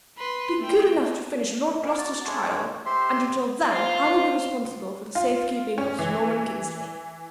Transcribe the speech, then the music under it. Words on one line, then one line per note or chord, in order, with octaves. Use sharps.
"Be good enough to finish Lord Gloucester's trial; and until then I will be responsible for the safekeeping of Sir Norman Kingsley."
B4 C6
A3 G5
A#3 C#4
F#4 D5
G#3 A3 D4 C#5
G4 C5 E5 C6
F4 C5
F4
C#4
E3